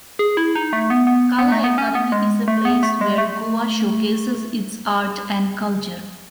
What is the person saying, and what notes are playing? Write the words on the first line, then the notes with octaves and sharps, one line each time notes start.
Kala Academy is a place where Goa showcases its art and culture.
G#4
E4
D#4
A3
B3
B3
B3
A3
B3
C#4
B3
G#3
A3
B3
A3
G#3
A3